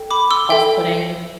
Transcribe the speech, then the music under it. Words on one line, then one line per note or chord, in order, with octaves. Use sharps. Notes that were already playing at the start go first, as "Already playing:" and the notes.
off putting.
Already playing: A4 G5
B5 D6
C6 E6
A4 E5 G5